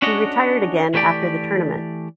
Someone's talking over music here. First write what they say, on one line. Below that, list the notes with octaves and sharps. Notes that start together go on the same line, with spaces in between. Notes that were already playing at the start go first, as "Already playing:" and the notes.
He retired again after the tournament.
C#4 D4 F#4 C#5 D#5
E3 A3 G4 D5